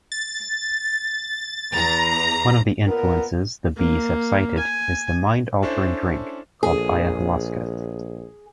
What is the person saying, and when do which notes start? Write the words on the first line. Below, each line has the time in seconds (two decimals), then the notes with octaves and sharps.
One of the influences the Bees have cited is the mind-altering drink called ayahuasca.
0.12 A6
1.73 E2 A#5
2.87 A#2 B3 A#4
3.77 A#3
4.58 G#5
5.62 C#4 D4 E4 A4 C5
6.63 A#1 G#4